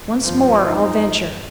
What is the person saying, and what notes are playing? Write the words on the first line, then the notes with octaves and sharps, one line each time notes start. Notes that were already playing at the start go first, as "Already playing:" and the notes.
Once more I'll venture.
G2 F3
D#4